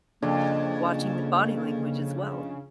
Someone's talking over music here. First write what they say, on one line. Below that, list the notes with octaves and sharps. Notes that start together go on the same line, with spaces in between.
watching the body language as well.
F2 C#3 A#3 D4